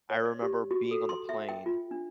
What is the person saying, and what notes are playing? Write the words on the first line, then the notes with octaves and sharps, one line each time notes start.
I remember being on the plane,
C#5
D5
G4
F#4
A4
C6
E5
G5
F4
D4